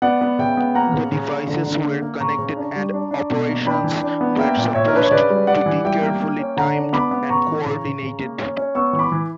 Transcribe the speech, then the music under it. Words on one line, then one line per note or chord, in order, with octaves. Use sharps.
The devices were connected and operations were supposed to be carefully timed and coordinated.
B3 D5 F#5
B3
C#3 E5 G5
B3
A#3 F#5 A#5
C#3
C#3
A#3
D3
D3
A#3
A#3
C#3 A#5 C#6
C#3
D4
G3
D4
D4
B2
A#3
D4 G5 B5
E3
D4
B3
A#3 E5 G5
A#2
A#2 C#5 E5
A#4
D4 B4
C#5
C#3 B4 D5
G3
G3 D5 F#5
E3
G3 E5 G5
A#3
A#3
C#4
D3 F#5 A#5
D4
B3 B5 D6
B3
C#3 A#5 C#6
E3
C#3
C#3
C#3
A#3
C#4
C#4
B3 C#6 E6
E3 C#6
B5 D6
E3